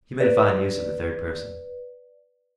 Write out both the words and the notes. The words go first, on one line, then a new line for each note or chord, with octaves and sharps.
He made a fine use of the third person.
B4 D5